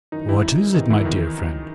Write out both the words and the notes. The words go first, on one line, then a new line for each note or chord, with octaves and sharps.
"What is it, my dear friend?"
F#2 D#3 E3 D#4
E3 E4
F#2 E3
E2 C3 D#3 E3 D#4
E3 E4
E2 C3 D#3 E3 D#4
F#2 E3